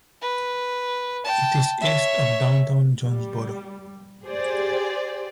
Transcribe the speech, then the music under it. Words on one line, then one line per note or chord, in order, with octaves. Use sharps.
It is east of downtown Jonesboro.
B4
G5 A5
C#5 E5
G3
G4 G#4 C5 D5